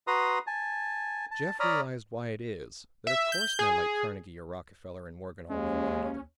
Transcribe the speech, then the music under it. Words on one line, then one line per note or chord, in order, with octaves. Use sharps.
Jeff realized why it is that of course men like Carnegie or Rockefeller and Morgan all know one another.
F#4 B4 A#5 C6 D#6
G#5 A5
A5
C#5 D5 A#5 B5 D#6 F6
E5
G6
G#4
D#2 G#3 C#4